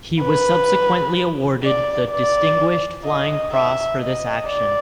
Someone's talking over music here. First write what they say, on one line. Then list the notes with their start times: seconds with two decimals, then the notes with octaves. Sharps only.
He was subsequently awarded the Distinguished Flying Cross for this action.
0.21 B4
1.63 D5
2.10 D5
3.05 D#5
3.52 E5
3.99 D#5
4.47 D5